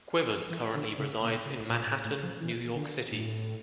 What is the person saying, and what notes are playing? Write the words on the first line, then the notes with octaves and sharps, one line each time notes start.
Quivers currently resides in Manhattan, New York City.
E3
D3
C#3
A#2
C#3
A#2
A2
A2
F3
E3
D3
A2